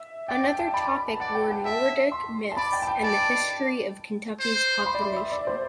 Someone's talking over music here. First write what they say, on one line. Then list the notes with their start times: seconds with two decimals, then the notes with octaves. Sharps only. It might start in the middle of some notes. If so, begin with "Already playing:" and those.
Another topic were Nordic myths and the history of Kentucky’s population.
Already playing: E5
0.28 D5 G5
0.44 G5
0.59 A5
0.73 D5 B5
0.85 B5
1.08 A5
1.20 D5 F#5
1.35 G5
1.51 A5
1.65 E5 A5
2.12 C6
2.52 A5
2.57 D5 B5
2.73 G5
2.82 A5
2.87 G5
3.03 D5 A5
4.40 C5
4.79 C6
4.86 B5
4.94 D5
5.01 E5
5.16 E5
5.32 D5
5.47 C5